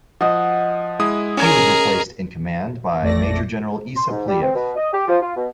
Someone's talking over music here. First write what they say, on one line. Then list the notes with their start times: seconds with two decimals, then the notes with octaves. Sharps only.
He was replaced in command by Major General Issa Pliyev.
0.21 F3 D#5 F#5
1.00 G#3 E4 D#6
1.37 C#4 G#4 A#4 G#5 G#6
3.01 A1 F2 A3 D5 A#6
3.96 C6
4.10 G#2
4.28 G3
4.42 C4
4.55 B2
4.76 D#5
4.93 G4
5.08 F3
5.21 F4
5.36 B2